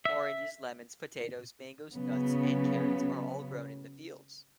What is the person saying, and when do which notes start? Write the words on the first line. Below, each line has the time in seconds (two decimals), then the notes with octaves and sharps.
Oranges, lemons, potatoes, mangos, nuts and carrots are all grown in the fields.
0.05 E5
1.93 C#3 F#3 B3